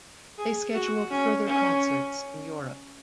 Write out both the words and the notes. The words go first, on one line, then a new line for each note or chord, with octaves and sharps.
They scheduled further concerts in Europe.
G#4
F#4
C#4
C#4